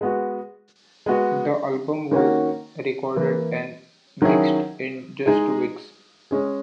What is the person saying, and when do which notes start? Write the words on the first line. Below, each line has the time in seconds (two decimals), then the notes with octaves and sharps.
The album was recorded and mixed in just two weeks.
0.01 G#3 B3 F#4
1.06 G#3 B3 F#4
2.11 D#3 A#3 C#4 F#4
3.16 E3 A#3 E4
4.22 D#3 F#3 C#4 E4 G#4
5.26 G#3 D#4 G#4
6.31 G#3 C#4 G#4